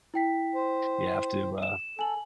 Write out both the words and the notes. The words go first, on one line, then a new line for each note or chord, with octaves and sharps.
You have to, uh,
E4 G5 B6
C5
E7
A4 G#5 F#7